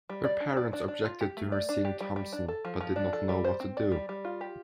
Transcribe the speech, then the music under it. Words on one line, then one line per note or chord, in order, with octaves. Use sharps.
Her parents objected to her seeing Thompson but did not know what to do.
G3
D5
D4
D5
D4
D4
F4
G4
A3
D5
D4
G4
G3
G3
D4
A4
F3
F3
D4
A4
G3
C5
C4
D5
G3
G3
F4
G4